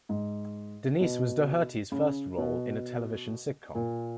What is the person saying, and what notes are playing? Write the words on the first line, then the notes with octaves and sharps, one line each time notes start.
Denise was Doherty's first role in a television sitcom.
G#2
B2
C#3
B2
A#2